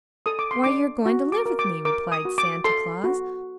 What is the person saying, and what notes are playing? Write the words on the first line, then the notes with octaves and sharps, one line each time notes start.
"Why, you are going to live with me," replied Santa Claus.
A4 D#6
D6
C6
D4 D6
F#4
D6
A#4
D6
A#4 D6
D#6
F#4
D6
A4 C6
F#4